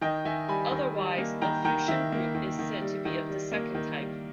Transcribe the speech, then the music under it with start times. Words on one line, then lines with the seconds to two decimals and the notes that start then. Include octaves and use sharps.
Otherwise, a Fuchsian group is said to be of the second type.
0.01 D#3 D#5 G5
0.25 D#3 E5 G#5
0.48 G3 G#5 B5
0.71 D#3
0.95 G3
1.18 A#3
1.41 D#3 G5 A#5
1.65 D#3 G5 A#5
1.88 D#3 E5
2.12 A#3
2.35 D#3
2.59 D#3
2.81 G3
3.05 D#3
3.29 G3
3.52 A#3
3.75 D#3
3.98 G3